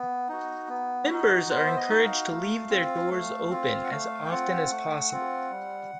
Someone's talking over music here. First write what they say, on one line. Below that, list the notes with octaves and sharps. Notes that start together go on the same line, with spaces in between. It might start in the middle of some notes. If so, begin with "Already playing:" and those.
Members are encouraged to leave their doors open as often as possible.
Already playing: B3
D#4 F#4
B3
D#4 F#4
B3 C5
E5
D#5
D#4 F#4
F5
A3
C4 F4
A3
C4 F4
F#5
A3 F5
G5
C4 F4 F#5
A3
C4 F4
G3